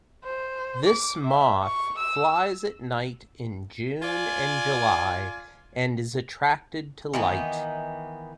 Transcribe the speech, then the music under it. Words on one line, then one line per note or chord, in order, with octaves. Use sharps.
This moth flies at night in June and July and is attracted to light.
C5
D6
E5
C#6
E6
F4 D5 G#5
D#3 E3 B3